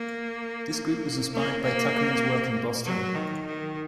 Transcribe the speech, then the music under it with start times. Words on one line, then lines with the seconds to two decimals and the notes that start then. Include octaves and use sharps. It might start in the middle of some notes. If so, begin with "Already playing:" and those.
This group was inspired by Tuckerman's work in Boston.
Already playing: A#3
0.72 A#3
1.32 A#3
1.63 A#3
2.85 F#3
3.15 D#3
3.45 D#3